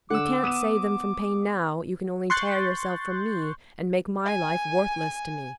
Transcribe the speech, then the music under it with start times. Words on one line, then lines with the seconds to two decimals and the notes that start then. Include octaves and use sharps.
You can't save them from pain now; you can only tear yourself from me, and make my life worthless to me.
0.10 D3 F#5 D6 E6
0.43 B3 D#6 D#7 E7
2.30 C6 C#6 F#6 G6 A6
4.25 G#5